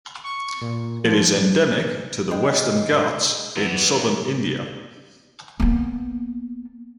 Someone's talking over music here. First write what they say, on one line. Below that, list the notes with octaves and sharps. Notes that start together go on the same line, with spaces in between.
It is endemic to the Western Ghats in southern India.
C#6
A#2
F3
G#3 G5
E3 B3
A#3 B3